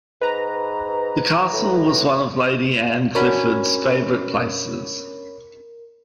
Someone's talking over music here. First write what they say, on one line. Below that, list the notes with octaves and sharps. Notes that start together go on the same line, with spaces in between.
The castle was one of Lady Anne Clifford's favourite places.
G#2 B4 A#5
A2
C#4 D4 F#4 A#4 C#5 B5